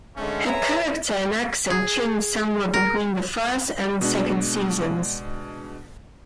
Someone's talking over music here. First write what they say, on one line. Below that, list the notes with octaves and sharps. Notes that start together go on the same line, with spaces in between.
Her character and accent changed somewhat between the first and second seasons.
G#2 D3 G#3 A3 C#4
G#4 B4 C#5 E5 G#5 A#5
G#4
A#4
B2 G#3 D4